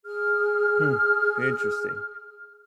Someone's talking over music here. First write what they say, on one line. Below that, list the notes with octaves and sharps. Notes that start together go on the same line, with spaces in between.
Hmm. Interesting.
G#4 F6